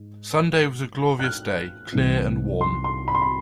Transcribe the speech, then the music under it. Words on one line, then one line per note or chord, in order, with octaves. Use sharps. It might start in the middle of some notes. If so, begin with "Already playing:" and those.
Sunday was a glorious day, clear and warm.
Already playing: G#2
F#6
F6
C2 C3 E3
C6
C6
B5
C6
B5